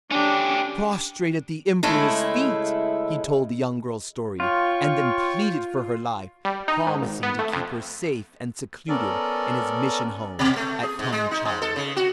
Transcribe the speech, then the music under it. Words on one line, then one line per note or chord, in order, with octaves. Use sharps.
Prostrate at the emperor's feet, he told the young girl's story, and then pleaded for her life, promising to keep her safe and secluded in his mission-home at Tung-Chow.
C#4 D4 G4
C#3 G#3 A3 E4
F4 C#5 G5 C#6
G3
D#4
G#2
G#1
B3
A3
F2
B3 C#4 A4 A#4 D5
B2
A3
G#4
G#2
G#3
D#4
G#2
A4
C#3
F#4